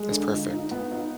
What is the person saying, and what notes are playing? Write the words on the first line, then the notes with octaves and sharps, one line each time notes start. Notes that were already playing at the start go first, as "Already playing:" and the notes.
That's perfect.
Already playing: G#3
D3
D#4
D#4
B3
D#4